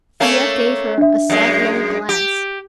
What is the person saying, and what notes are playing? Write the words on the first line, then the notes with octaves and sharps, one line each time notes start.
Thea gave her a sidelong glance.
A3 A#3 C#4
D4 E5
F#2 G#3
G4